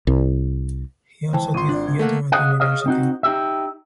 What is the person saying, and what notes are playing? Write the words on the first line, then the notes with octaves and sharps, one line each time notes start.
He also did theatre at University.
C2
C#2 E3 C5 G5 A5
G#1 F4 C6 C#6 D#7
D4 F4 D5
G#6
A3 A#3 A4 A#4 F#5
G#4 A4 C#5 D#5 F5 F#5
G#4 C#5 D#5 F5
C4 D#4 F#4
D#4 G4 E5